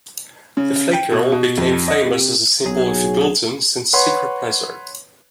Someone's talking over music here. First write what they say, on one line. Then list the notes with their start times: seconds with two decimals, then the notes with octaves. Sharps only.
The Flake Girl became famous as a symbol of indulgence and secret pleasure.
0.57 C#3
0.93 G5
1.12 B2
1.32 B2
1.57 F2
1.88 D#5
2.05 C3
2.65 B1 F#3 G#4
3.93 B4 C#5 F#5 C6